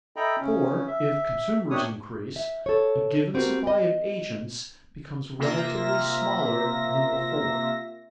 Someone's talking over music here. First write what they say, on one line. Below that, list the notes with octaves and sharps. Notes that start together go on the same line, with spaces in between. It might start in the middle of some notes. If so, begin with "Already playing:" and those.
For, if consumers increase, a given supply of agents becomes relatively smaller than before.
A4 D#5 E5 G5 A#5 B5
C#3 C#4
E5
C3 D#3 D4 G4 C#5 D#6
E5
A4 C#5
B3 C4 F#4 G4 A#4
D#5
C3 A#3 F4 E5 A#6